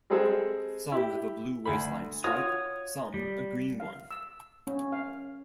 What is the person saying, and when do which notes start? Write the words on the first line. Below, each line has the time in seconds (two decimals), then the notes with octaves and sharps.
Some have a blue waistline stripe, some a green one.
0.10 G3 G#3 C4 G#4 A4
0.92 E4 G4
1.65 D2 B5
2.24 F4 F#4 C#5 D#6
3.14 G3
3.80 F5
4.11 E6
4.67 C#4
4.92 F5